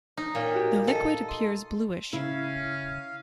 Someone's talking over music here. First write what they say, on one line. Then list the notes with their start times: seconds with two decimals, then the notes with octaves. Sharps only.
The liquid appears bluish.
0.17 D#4 A#5
0.35 A#2 C#5 G5 F6
0.55 F#4 G4
0.88 A4 D#5
1.28 D#5 C6
2.13 C#3 C#4 E4 F5